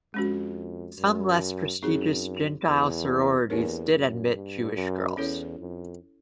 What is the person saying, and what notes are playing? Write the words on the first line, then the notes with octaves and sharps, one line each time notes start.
Some less prestigious gentile sororities did admit Jewish girls.
F2 G#3 C#4 F#4
F#2
F#2 C4 D#4 G#4
E2
E2 A#3 D4 G4 A#4 C#5
F#2
G2
F#2
E2 C#4 E4 A4 C#5
F2